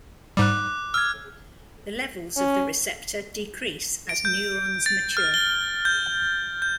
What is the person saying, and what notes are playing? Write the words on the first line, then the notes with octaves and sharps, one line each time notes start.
The levels of the receptor decrease as neurons mature.
G#2 G3 D6 F#6
E6 F6 G#6
C#4
D7
G6
A6
F6
G7
G6
G6